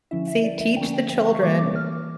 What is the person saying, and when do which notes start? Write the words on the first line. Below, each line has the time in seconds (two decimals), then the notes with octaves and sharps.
See, teach the children.
0.11 D3 F3 C#4 E4 E5
0.28 E5
0.44 D5
0.61 E5
0.77 D3 F3 A#3 C#4 G5
0.94 G5
1.09 G5
1.27 C#6
1.43 E3 G3 A#3 D6
1.59 D6
1.76 F6